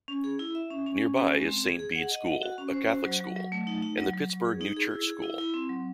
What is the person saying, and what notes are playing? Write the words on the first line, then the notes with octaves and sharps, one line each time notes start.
Nearby is Saint Bede School, a Catholic school, and the Pittsburgh New Church School.
C#4
G#4
E4
E5
C#4
C#4
C#4
G#4
G#3
C4
G#4
G#4
F#5
D#5
F#5
F#4
C#4
C5
F#4
F#3
F#3
F#3
A3
D#4
D#4
F#3
F#3
F#3
G#4
D#4
G#4
E4
G#4
E4
E4
C4
F#3